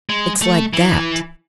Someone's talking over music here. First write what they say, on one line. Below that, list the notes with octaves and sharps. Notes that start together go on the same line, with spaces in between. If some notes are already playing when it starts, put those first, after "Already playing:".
It's like that.
G#3
A3
E3